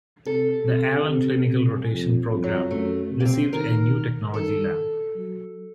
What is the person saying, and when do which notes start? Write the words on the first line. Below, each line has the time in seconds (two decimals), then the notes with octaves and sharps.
The Allen Clinical Rotation Program received a new technology lab.
0.26 C3 A4
0.68 C3
1.08 C3
1.49 C3
1.90 F2
2.30 F2
2.44 F#3
2.71 F#2 A3
3.11 C3
3.20 A#3
3.25 C4
3.53 D#3 A#4
4.34 D#3 A4
5.16 F#3